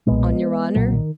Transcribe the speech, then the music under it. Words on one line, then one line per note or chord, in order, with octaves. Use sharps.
"On your honor?"
B1 A#2 G#3 B3
B1 A#2 F#3 A#3
D#3